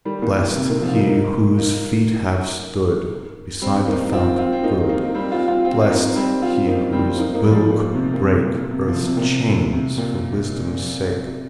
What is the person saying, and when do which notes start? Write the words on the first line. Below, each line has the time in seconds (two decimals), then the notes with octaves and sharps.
Blest he whose feet have stood Beside the fount of good; Blest he whose will could break Earth's chains for wisdom's sake!
0.05 D#3 G3
0.22 A#2 D#3
0.39 A#2
0.56 C3
0.70 A#2 D#3
0.82 C3 F3
0.89 F4
0.94 A#3 D#4
1.07 A#3 D#4
1.58 A#3 D#4
3.62 G3 C4
3.87 A#3 D#4
4.13 C4 F4
4.38 C4 F4
4.52 C4
4.64 A#3 D#4
4.89 A#3 D#4
5.05 A#3
5.15 G3 C4
5.31 C4 F4
5.48 C4 F4
5.65 C4 F4
5.81 C4
5.91 A#3 D#4
6.16 G3 C4
6.42 C4 F4
6.67 A#3 D#4
6.92 G3 C4
7.18 A#3 D#4
7.35 A#3 D#4
7.44 G3
7.52 F3 A#3
7.69 A#2
7.95 C3
8.14 A#2
8.20 C3
8.45 A#2
8.71 C3
8.88 C3 F3
9.05 C3
9.17 A#2
9.22 C3
9.48 A#2
9.73 C3
9.98 A#2